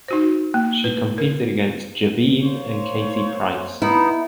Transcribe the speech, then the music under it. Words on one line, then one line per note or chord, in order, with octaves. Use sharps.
She competed against Javine and Katie Price.
D#4 F#4 C5
A#3
B4
A#4
A#3 C5 C#5
B3 D#4 E4